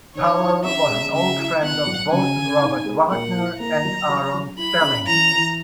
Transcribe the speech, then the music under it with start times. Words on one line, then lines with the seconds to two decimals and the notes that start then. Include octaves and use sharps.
Powell was an old friend of both Robert Wagner and Aaron Spelling.
0.15 D#3 C#5
0.40 E4
0.64 C#4 E5
0.90 G#3
1.13 C#3 E5
1.38 E4
1.62 B3 F#5
1.87 F#3
2.12 C#3 G#5
2.37 C#3
2.62 D#4
2.85 G#3
3.10 A#2 F#5
3.36 E4
3.60 A#3 A#5
3.85 F#3
4.09 F#3
4.34 F#3
4.57 E4 B5
4.82 C#4
5.07 E3 A#5
5.32 E3